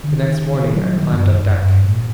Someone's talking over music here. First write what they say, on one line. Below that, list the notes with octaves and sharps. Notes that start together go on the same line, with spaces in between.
The next morning I climbed on deck.
D3
D#3
D#3
F#3
D#3
G2
F#2
F#2
G2
A2
A#2